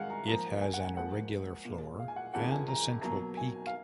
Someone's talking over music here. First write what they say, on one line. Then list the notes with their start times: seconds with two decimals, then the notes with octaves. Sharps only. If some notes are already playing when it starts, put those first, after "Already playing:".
It has an irregular floor and a central peak.
Already playing: G#2 D#3 G#3 F5 F#5 G#5
0.10 A#5
0.28 G#2 F3 A#3 A#5
0.61 G#5
0.74 F#5
0.80 G#5
0.85 F#5
0.96 G#2 F3 A#3 F#5
1.65 A#2 G#3
2.00 F5
2.08 G#5
2.16 F#5
2.34 F2 D#3 G#3 F#5
2.51 G#5
2.68 A#5
3.02 B2 F#3 A#3 A#5
3.37 G#5
3.67 F5